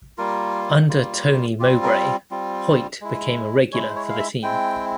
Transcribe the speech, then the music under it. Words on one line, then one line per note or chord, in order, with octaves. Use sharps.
Under Tony Mowbray, Hoyte became a regular for the team.
G3 A#3 F4 A#4
G3 A#3 F4
G3 C4 F4 G4
A#4
G3 C4 F4
G#3 E4
G#3 E4 C#5
C5
C#5
F5
E5
G#3 C4 E4 G5